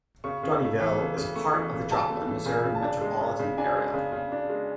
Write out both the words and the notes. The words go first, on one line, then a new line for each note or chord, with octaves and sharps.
Dotyville is a part of the Joplin, Missouri metropolitan area.
C#3 C#6
C#3
A3
E3
C#3
C#3
A3 C#6
E3
C#3
C#3 A5
A3
E3
C#3 G#5
C#3
A5
D4
G#3
C#3
C#3
D4 G#5
G#3
C#3
C#3
D4
G#3